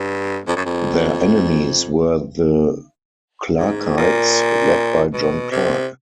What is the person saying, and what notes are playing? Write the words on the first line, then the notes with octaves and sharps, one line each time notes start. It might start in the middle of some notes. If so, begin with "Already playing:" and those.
Their enemies were the Clarkites, led by John Clark.
Already playing: G2
F2
F#2
F2
G#2
A#2
B2
C3